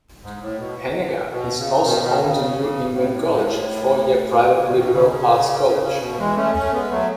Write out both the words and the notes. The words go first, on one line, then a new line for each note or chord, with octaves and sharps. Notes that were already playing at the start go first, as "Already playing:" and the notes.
Henniker is also home to New England College, a four-year private liberal arts college.
G#2
A2
B2
B2
C#3
B2 D#3
B2 D#3
C#3
A2
A2
G#2
A2
C#3
B2 D#3
C#3
C#3
C#3
C#3
B2
E3 G#3
A3 C#4
A3 C#4
G#3 B3
F#3 A3